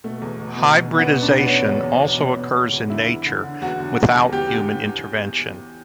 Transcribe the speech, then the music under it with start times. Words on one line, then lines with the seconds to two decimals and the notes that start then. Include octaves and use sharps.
Hybridisation also occurs in nature without human intervention.
0.04 B2 A3
0.22 E2
0.40 B2
0.57 B2
0.75 B2
0.94 B2 B3
1.11 B2
1.23 D4
1.30 B2
1.39 B3
1.46 B2 C#4
1.65 E2
1.83 E2
2.01 B2
2.18 E2
2.36 B2
2.54 E2
2.72 E2
2.89 D3 E4
3.07 E2
3.25 D3
3.43 D3
3.62 E2 F#4
3.79 D3
3.97 E2
4.15 E2
4.32 E2 G4
4.50 D3